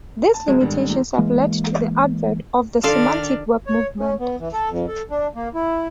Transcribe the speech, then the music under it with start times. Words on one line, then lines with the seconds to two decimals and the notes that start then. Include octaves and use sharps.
These limitations have led to the advent of the Semantic web movement.
0.34 A5
0.48 C#3 F#3 G#3
0.61 G#1 B2 D3 G3
0.90 E2
1.18 E3 G#3 A#3
2.84 D#3 D4 F4 A4 F5 F6
3.67 C#5
3.99 C#4
4.20 B3
4.39 E3
4.53 A4
4.70 F2
4.88 A4
5.10 D4
5.35 A#3
5.55 E4